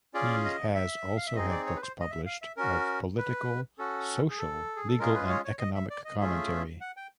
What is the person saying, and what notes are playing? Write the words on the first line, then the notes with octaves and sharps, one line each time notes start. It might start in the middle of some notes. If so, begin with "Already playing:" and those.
He has also had books published of political, social, legal and economic commentary.
C#4 F4 G#4 D5
D#5
E5
F5
E5
C4 D#4 G#4 D#5
D5
C#5
B4
C5
D#5
E5
F5
E5
C#4 F#4 A#4
B4
C#4 F#4 A4
G#4
A4
G#4
A4
G#3 C#4 F4 G#4 A#4
B4
C#5
C#5
D#5
E5
D5
D#5
A3 C#4 F4 G#4 E5
F#5
G5